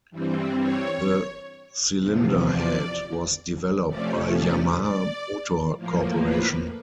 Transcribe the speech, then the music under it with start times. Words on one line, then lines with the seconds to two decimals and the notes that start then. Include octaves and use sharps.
The cylinder head was developed by Yamaha Motor Corporation.
0.11 G2 E3 G3 C4
0.58 C#5
1.99 E2 C3 F3
2.46 D5
3.87 C3 F3 A3 C#4 D5
4.35 D5
4.82 D5
5.76 A2 F3 A#3
6.24 B4